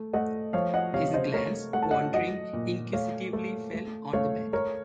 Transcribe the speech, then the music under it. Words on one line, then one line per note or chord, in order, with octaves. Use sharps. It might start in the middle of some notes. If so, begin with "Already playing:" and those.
His glance, wandering inquisitively, fell on the bed.
Already playing: A3
A3 D#5 F#5
F3 C#5 F5
D#5 F#5
C3 C#5 F5
C5 D#5
A3 A#4 C#5
A3 F#5
A5
D#5 F#5
F#3 D#5 F#5
A#2
A3 C#5 F5
A3
A3
A3 C#5 F5
A3 A#4 C#5